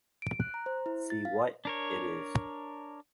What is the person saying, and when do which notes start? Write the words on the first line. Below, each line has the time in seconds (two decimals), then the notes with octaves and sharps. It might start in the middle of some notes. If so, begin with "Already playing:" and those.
See what it is.
0.22 D7
0.40 F#6
0.54 A#5
0.66 C5
0.86 E4
1.10 A6
1.25 F5
1.65 D4 A#4 C#5